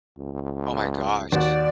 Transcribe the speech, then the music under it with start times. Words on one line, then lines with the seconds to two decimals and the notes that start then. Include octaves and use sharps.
Oh my gosh.
0.17 C#2
1.32 D#2 F#4 D5